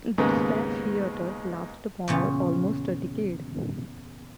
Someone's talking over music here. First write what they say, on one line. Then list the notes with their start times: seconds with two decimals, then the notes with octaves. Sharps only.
The Dispatch hiatus lasted almost a decade.
0.18 D#2 G#2 C#3 G#3 B3
2.08 E2 A#2 C#3